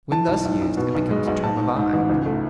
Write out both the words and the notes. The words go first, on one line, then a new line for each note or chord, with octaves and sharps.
When thus used it becomes a term of eye.
E3 A5
B1
B1
B1
B2
B1
G#3
B1
G#2 A5
G#2
G#2
A1
C#2
A3